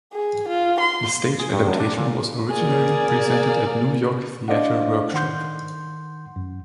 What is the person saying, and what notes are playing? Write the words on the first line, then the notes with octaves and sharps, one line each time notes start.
The stage adaptation was originally presented at New York Theatre Workshop.
G#4
F4
C6
G#4
G2
F#2
D4
A#2
A#3 G#4 D5 G#5
D4 C5 D5 D#5 F5 F#5
D#3 F#5 C6 G6
F#2